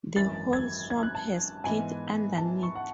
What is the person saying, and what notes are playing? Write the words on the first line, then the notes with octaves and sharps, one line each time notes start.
The whole swamp has peat underneath.
G#1 F#2 E3 A6
G#6
G#6
F#6
A5
G#2 E3 B3 G#5
A5
C#6
F#5